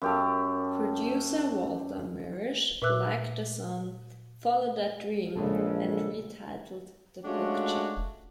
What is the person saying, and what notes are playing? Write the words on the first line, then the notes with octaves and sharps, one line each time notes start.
Producer Walter Mirisch liked the song "Follow that Dream" and retitled the picture.
F#2 G4 A4
A#2 B4 E5 D6 E6 F#6
A#1 C#3 G#3 A4
G#3 A3 C#4 D4 F4 F#4